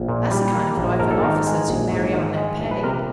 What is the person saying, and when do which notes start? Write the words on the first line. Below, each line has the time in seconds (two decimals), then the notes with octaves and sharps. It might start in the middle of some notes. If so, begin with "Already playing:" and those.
That's the kind of life with officers who marry on their pay.
Already playing: A#1
0.09 A#2
0.31 G3
0.55 A#3
0.77 A#1
1.00 G#2 A#4
1.11 A4
1.23 D#3 A#4
1.46 G#3
1.68 A#1
1.91 G#2
2.14 D#3
2.37 G#3
2.60 A#1
2.71 B4
2.83 C3 A#4